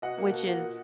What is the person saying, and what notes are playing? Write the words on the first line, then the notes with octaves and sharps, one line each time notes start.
which is
B2 D#5 F#5
A#3
B2
A#3
A#2